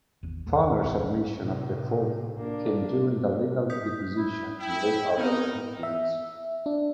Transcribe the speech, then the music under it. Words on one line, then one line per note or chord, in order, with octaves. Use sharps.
Fowler's admission of default came during a legal deposition in late August in Phoenix.
G#1 E2
D1 G1 E2 A3
D#1 C#2 C4
A2 C3
A#3 D4
D#6 G6 B6
E4
E4 G5
B3 C4 D#4 A#4
E5
D4